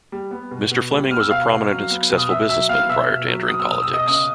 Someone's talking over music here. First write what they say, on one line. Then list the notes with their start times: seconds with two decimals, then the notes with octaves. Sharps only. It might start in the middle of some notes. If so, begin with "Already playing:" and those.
Mr. Fleming was a prominent and successful businessman prior to entering politics.
0.12 G3
0.31 B3
0.51 B2
0.71 B2
0.91 G3
1.11 B3 F6
1.20 E6
1.30 B2 F5 F6
1.51 B2
1.70 F#3
1.90 B3
2.10 B2
2.17 D#6
2.29 B2 E5 E6
2.49 F#3 E5 E6
2.69 B3 F5 F6
2.89 B2 E5 E6
3.08 B2
3.28 F#3
3.48 B3 D#6
3.60 E6
3.68 B2 D#6
3.82 E6
3.88 B2
3.93 D#5 D#6
4.07 C#3 D#5 D#6